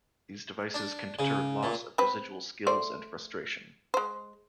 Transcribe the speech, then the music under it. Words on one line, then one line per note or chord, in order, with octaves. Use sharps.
These devices can deter loss of residual skills and frustration.
D4
C#3
A#2
C4 B4
A3 C5 D5
G#3 C5